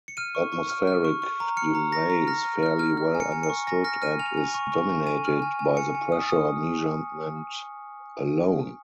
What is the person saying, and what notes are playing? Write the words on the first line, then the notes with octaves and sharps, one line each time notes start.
Atmospheric delay is fairly well understood, and is dominated by the pressure measurement alone.
C#7
F6 D#7
C#6
C#6
F6
F6
C#6
C#6
A#5
F6 C#7
A#5
A#5 A#6
A#5
F6 A#6
F6
F6
F6
F6
G#5
C#7
G#5
C#7
C#6
G#5 A#6
F6 A#6
F6 D#7
G#5 F7
G#5
C#6
C#6
G#5
G#5 D#7
F6
G#5
G#5
G#5 C#7
G#5
D#6
D#6